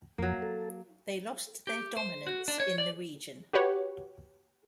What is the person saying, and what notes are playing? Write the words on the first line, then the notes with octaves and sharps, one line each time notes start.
They lost their dominance in the region.
F2 F3 F#3 A#3
A4
G4
C5
F#4
D4
C#5
D5
F#4 G4 B4 C#5 F#5